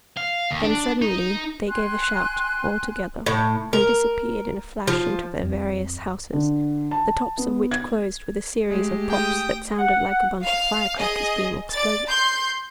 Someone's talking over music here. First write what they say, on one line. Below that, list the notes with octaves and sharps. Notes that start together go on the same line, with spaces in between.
Then suddenly they gave a shout, all together, and disappeared in a flash into their various houses, the tops of which closed with a series of pops that sounded like a bunch of firecrackers being exploded.
F5
D#2
D4
D#4
G5 G#5 C6 F#6
A2
A#4
F3
F2
D3
A5
B3
G#6
G#3 A3 G4
G5 D#6
F#5
F5
G#4 D#5
D5 A6
C6 G6